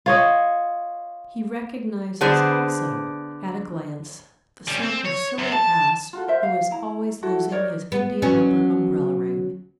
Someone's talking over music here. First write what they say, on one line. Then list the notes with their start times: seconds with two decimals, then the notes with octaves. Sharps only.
He recognizes also at a glance the sort of silly ass who is always losing his indiarubber umbrella ring.
0.06 F4 C#5 D#5
2.21 D3 B3 D4 G#4 C5
4.68 G3 C#4
4.83 C4
5.06 C#5
5.39 F#2
5.52 A5
6.13 F4 F#4 A4
6.28 A#4 C5 E5
6.43 F5
6.71 E4 A#5
7.23 E4 F#4 A4
7.51 D#4 A#4 C#5 D5
7.92 B3
8.22 F#3 B3 C#4